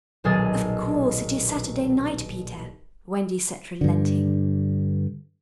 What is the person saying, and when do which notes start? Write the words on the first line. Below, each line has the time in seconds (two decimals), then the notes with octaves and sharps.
'Of course it is Saturday night, Peter,' Wendy said, relenting.
0.24 D#1 B1 G#4 D#5 A6
3.81 G2 D3